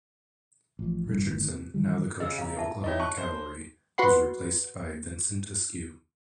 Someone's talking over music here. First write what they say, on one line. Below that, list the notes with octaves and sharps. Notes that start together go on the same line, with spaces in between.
Richardson, now the coach of the Oklahoma Cavalry, was replaced by Vincent Askew.
A1 F3
F1 C2 G2
G1 A2 D#3
C3
D#3 E3 G3
C#3 D#5 E6
F5 A#5
E5 A5
D#4 E4 G4 C#5 D#5
A5 C#6 F#6
C5
F#4 B4 F#5 C6